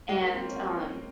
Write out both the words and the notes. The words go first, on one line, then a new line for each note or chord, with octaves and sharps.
and, um,
G#3
A#3
C4
C#4